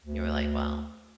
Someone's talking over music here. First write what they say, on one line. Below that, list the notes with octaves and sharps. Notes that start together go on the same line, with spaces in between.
we were like, "Well,
D2